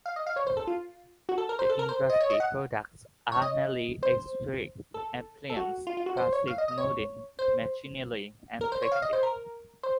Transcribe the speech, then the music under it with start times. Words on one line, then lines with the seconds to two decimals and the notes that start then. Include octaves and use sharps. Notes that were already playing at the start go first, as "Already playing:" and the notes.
The industry products are mainly electric appliances, plastic moulding, machinery and textiles.
0.06 F5
0.16 D#5
0.26 F5
0.36 C#5
0.47 C5
0.57 A4
0.67 F4
1.29 F#4
1.38 A4
1.49 A#4
1.59 C5
1.69 A4
1.79 A#4
1.89 C5
2.10 D#5
2.20 C#5
2.30 D#5
2.40 F#5
3.32 C#5
3.42 D#5
4.03 C5
4.94 A4
5.50 A4
5.57 F#4
5.87 F4
5.97 F4
6.06 F#4
6.17 C5
6.33 C#5
6.48 F5
6.58 D#5
6.68 D#5
6.78 C#5
7.39 C5
8.61 A#4
8.72 C5
8.82 C#5
8.92 F5
9.02 D#5
9.13 C5
9.23 A#4
9.83 C5